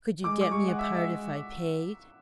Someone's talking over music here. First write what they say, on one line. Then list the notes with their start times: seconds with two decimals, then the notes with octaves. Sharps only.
"Could you get me a part if I paid?"
0.24 G#3 D6
0.41 D6
0.51 C#6
0.68 F#5
0.79 E5
0.96 E5